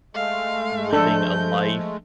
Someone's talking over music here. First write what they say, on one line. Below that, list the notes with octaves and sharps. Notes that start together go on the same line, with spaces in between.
living a life
G#3 A3 F5
F3 D4 A4 G6